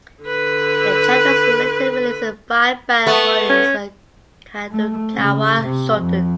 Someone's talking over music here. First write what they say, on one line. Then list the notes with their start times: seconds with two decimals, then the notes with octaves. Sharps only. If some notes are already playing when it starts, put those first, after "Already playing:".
The chapters were later released in five bound volumes by Kadokawa Shoten.
0.24 D3 B4
3.06 A3 B3 B4
3.49 C#4
4.71 A3
5.14 C#3
5.61 C3
5.98 F2